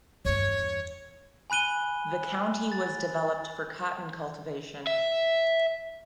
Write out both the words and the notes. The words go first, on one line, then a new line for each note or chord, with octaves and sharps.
The county was developed for cotton cultivation.
E2 G2 C#5
G#5 B5 F#6 D#7 G7
A6
E5